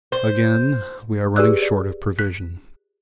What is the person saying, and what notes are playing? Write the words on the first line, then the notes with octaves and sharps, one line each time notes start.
Again we are running short of provision.
C5
G4 G#4 B4 D5 E6 F#6
D5
F#6 B6